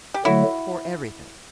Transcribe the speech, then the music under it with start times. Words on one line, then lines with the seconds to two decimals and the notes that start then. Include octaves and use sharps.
"For everything."
0.14 G4
0.25 D3 F#3 A3 E4 F#4